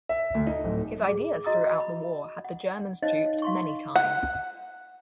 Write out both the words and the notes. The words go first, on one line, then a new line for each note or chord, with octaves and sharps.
His ideas throughout the war had the Germans duped many times.
E5
D2
D#4
D1
G#4
F#4 D#5 A#5 D#6 E6
B5
F#5
D#4 C5 C#5 D#5 F5 A5
F5 C6 C#6
F#5